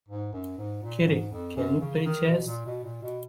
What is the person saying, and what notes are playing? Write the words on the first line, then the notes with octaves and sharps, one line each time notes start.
Kitty, can you play chess?
G#2
F#2
G#2
A#2
G#2
F2
F#2
C#3
D#3
B2
A#2
B2
A#2
B2